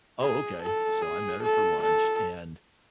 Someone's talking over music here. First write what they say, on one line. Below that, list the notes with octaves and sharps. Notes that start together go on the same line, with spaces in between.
"Oh, ok," so I met her for lunch and
G#4
A4
G#4
A4
A4